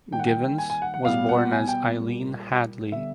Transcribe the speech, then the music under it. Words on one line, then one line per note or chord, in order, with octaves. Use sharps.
Givens was born as Eileen Hadley.
D#3 G3 A#3 G5
F#5
G5
G#5
G#5
F#5
F#5
B2 G3 B3 F5
F#5
G#5
G5
A#2 G3 A#3
D3 G3 B3 E5